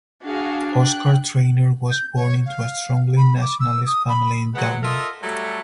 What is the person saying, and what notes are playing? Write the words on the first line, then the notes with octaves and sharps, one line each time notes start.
Oscar Traynor was born into a strongly nationalist family in Dublin.
D4 F#4 G#4 F5
G5 F#6
G6
C#5
F5
B5
D6
E6
D#6
B5
F#3 G#3 B3 F#5
F4 A4 A#4 D#5 E5
F#3 G3 A3